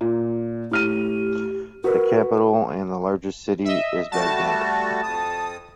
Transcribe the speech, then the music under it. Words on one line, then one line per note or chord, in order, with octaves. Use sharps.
The capital, and largest city, is Baghdad.
A#2
A2 G4 F6 D#7
F#4 A#4 B4
D#5 E5
G3 A3 F#4 A5
F2 D#6